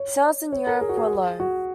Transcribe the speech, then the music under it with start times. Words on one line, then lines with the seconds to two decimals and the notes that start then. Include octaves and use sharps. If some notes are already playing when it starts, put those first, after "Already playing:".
Sales in Europe were low.
Already playing: C#5
0.52 C#5
0.67 A#4
0.81 G#4
0.89 F#4
0.97 G#4
1.40 F#4